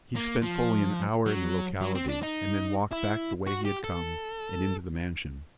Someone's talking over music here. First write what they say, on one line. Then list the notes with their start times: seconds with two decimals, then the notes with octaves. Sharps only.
He spent fully an hour in the locality, and then walked back the way he had come, and into the mansion.
0.16 A#3
0.42 F3
1.26 F#3
1.81 F#3
1.95 C4
2.09 D4
2.23 D#4
2.92 E4
3.47 F#4
3.65 G4
3.84 A4